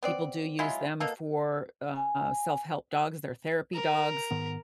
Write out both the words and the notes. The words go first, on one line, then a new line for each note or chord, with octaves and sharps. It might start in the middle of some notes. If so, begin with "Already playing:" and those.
people do use them for, uh, self-help dogs. They're therapy dogs,
B3 C4 D5
F#3 G#3 E4 F4
B2 A#3 A4
G#5
A#4
G#2 D#3 B3